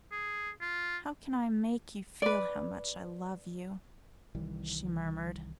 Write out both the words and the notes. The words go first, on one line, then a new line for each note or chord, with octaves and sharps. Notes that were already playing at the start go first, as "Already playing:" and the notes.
'How can I make you feel how much I love you?' she murmured.
G#4
F4
B4 D5
C2 D#3 E3 G3